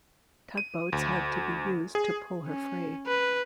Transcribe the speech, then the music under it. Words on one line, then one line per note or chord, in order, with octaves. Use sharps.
Tugboats had to be used to pull her free.
D#7
D2
G#4
C#4
B4